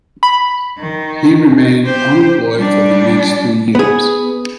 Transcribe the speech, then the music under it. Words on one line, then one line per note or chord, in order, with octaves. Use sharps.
He remained unemployed for the next two years.
B5
D#3
G4 C5
G3 D4
B3 G#4